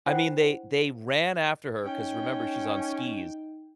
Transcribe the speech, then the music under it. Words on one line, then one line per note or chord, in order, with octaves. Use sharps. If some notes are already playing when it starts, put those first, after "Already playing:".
I mean, they they ran after her 'cause remember, she's on skis
D4 E4 F4 C5 F#5 G5
C#4 D#4 G5